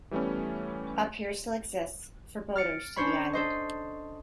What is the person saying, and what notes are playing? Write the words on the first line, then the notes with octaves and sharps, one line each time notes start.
A pier still exists for boaters to the island.
E3 G3 A3 B3 C#4
F6 A6 C#7 D7
C#4 D4 C5 C#5 B5
A4 C5 D#5